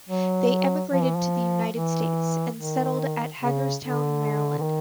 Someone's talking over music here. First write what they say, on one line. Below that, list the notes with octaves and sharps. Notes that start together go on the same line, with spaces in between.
They emigrated to the United States, and settled at Hagerstown, Maryland.
F#3
F3
E3
F3
E3
D#3
C#3
D3
D3
D#3